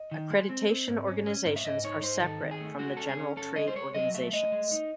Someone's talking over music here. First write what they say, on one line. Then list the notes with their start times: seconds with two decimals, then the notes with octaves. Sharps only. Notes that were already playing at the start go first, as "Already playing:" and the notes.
Accreditation organizations are separate from the general trade organizations.
Already playing: D#5
0.11 D#3
0.30 G#3
0.49 C4
0.69 C4
0.88 G#2
1.07 C#4
1.26 C#4
1.46 G#2
1.56 E5
1.64 G#2 D#5
1.84 D#4 C#5
2.03 G#2 C5
2.22 D#3 A4
2.42 D#3
2.51 G#4
2.61 A3
2.79 G#3 F#4
2.97 C#4 A4
3.09 G#4
3.18 C#4
3.37 C#4 A4
3.56 G#3 D#5
3.68 C5
3.76 G#3 C#5
3.95 F#3 D#5
4.14 A3 E5
4.33 A3 D#5
4.52 G#3
4.71 D#4